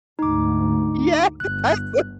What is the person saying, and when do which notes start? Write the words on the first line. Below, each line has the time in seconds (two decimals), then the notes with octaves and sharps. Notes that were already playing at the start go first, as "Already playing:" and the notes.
Yes! I sw
0.19 D2 G#2 D#4 D6
1.40 G1 F#6